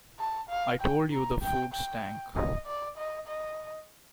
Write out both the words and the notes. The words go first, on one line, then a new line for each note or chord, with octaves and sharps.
I told you the food stank.
A5
F5
G5
A#5
G5
G5
D#5
D5
D#5
D#5